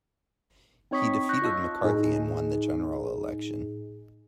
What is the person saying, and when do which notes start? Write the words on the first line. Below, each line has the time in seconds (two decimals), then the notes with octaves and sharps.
He defeated McCarthy and won the general election.
0.91 C4 D#4 C#5 C#6 D#6 B6
1.29 C#6 F#6 G6 A#6
1.42 F4 D#5 A5 E6
1.84 A2 D#4 G#4